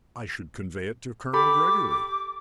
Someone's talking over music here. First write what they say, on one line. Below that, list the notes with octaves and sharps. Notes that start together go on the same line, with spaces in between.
"I should convey it to Colonel Gregory."
G4 A4 B5 D6